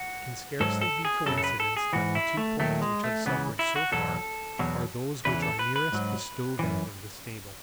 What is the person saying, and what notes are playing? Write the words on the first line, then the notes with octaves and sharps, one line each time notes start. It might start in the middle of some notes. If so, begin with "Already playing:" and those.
It can scarcely be coincidence that the two ponies which have suffered so far are those which are nearest the stove end of the stable.
Already playing: F#4
G#2 F#3 A4
A4
G#4
F#2 C#3 F#3 A4
A4
B4
A4
G#4
G#2 E3 F#4
E4
A3
D#2 D#3 F#3 A3
G#3
A3
C#2 C#3 E3 B3
E4
F#4
E2 B2 F#3 A4
E2 B2 F#3
E2 C#3 E3 B4
A4
B4
B4
G#2 F#3
F#2 E3